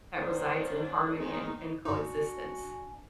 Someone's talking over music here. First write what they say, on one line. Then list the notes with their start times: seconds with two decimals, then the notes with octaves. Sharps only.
that resides in harmony and and coexistence.
0.15 G#1 D#3 C#4 D4 C5
1.17 D#3 G#3 D#4
1.85 G2 D4 D#4 F#4 G#5